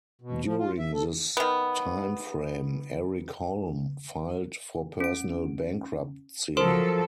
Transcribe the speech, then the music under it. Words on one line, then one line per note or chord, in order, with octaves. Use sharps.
During this time frame, Eric Holm filed for personal bankruptcy.
B2
F3
F4
E5
A4
D#3 B3
C#4 D7
F3 F#3 A4 A#4 C5 C6